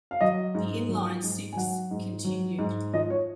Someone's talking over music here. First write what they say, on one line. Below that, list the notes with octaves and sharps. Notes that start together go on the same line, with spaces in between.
The inline six continued.
F5
F#3 D#5
G#2
F#3
G#2
G#5
F#3 F#5
G#2
F#3
G#2
F3 D#5
C#5